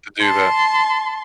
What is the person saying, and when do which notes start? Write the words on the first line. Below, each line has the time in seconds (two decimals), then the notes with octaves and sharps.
to do that.
0.20 A5 C6